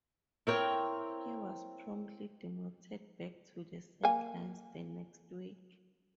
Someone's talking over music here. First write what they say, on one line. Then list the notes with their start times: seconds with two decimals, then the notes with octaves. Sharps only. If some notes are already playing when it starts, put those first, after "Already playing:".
He was promptly demoted back to the sidelines the next week.
0.47 C4 E4 A#4 C#5 G5
4.04 A#3 G#5